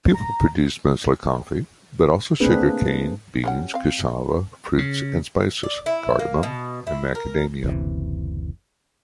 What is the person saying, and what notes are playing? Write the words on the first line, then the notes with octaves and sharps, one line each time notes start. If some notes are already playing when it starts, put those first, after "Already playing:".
People produce mostly coffee, but also sugarcane, beans, cassava, fruits and spices-cardamom and macadamia.
A#5
A3 A#3 C4 D4 G#4 B4
G3 C#4 F#5
C4 F5
C#3
D5
E4
A#3
B2
E4
A#4
F#1 D2 C3 E3